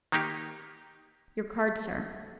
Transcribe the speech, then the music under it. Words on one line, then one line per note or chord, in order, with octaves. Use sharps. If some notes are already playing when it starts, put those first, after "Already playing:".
"Your card, sir."
D#3 A#3 D#4 G4